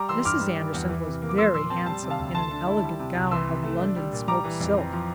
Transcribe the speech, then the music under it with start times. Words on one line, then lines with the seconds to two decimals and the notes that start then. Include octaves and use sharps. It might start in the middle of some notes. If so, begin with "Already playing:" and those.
Mrs. Anderson was very handsome in an elegant gown of London-smoke silk.
Already playing: G3 A#5 D6
0.09 E3 C6 E6
0.25 G2 D6 F6
0.41 G3
0.57 E3
0.74 E2
0.89 E3
1.06 C3
1.22 A#3
1.29 D6
1.38 F3 C6 E6
1.54 A#2 C6 E6
1.70 C4 A5 C6
1.86 G3 A5 C6
2.03 C3
2.10 F5 A5
2.19 D2
2.34 A3 A5 C6
2.51 D3
2.67 E4
2.83 G3
2.99 C3
3.15 C2
3.31 E3 C6 E6
3.47 C3
3.63 A3
3.80 D4
3.96 G3
4.12 A#2
4.28 G3 A#5 D6
4.44 E3
4.60 F2
4.77 C4
4.92 F3